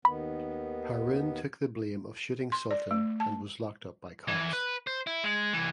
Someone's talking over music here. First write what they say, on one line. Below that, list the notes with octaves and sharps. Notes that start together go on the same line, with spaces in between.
Haroon took the blame of shooting Sultan and was locked up by cops.
D#2 D#3 B3 B5
C6
D5
A3
A5
F2 E3
B4
C5
E4
G#3
C2 E3